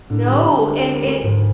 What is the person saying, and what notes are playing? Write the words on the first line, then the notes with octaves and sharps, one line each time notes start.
No. And it
A2 D3
G3
D3
D2
A#3
D2
G#2 F3